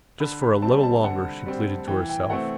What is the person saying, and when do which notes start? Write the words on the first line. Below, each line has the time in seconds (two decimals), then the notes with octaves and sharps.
Just for a little longer, she pleaded to herself.
0.20 D3 B5
0.41 B5
0.62 G3 C4 A5
0.83 A5
1.04 D3 F#5
1.46 G3 C4
1.87 E3 G5
2.09 G5
2.30 A3 C4 F#5